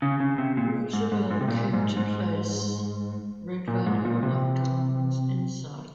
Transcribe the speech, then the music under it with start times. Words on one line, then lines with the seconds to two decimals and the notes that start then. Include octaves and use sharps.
Roosevelt came to place great value on Donovan's insight.
0.02 C#3
0.20 C#3
0.38 C3
0.57 A#2
0.93 G#2
1.12 G#2
1.30 G#2
1.41 C3
1.48 A#2
1.73 G#2
1.97 G#2
3.68 A#2
3.86 G#2
4.05 A#2
4.23 C3